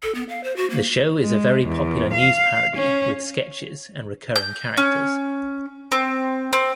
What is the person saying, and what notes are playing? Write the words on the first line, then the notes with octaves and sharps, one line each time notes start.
The show is a very popular news parody with sketches and recurring characters.
A4
B3
F5
C5
F#4
A#3
G#3
E2
F5
C#4
G6
C#4
C4
C4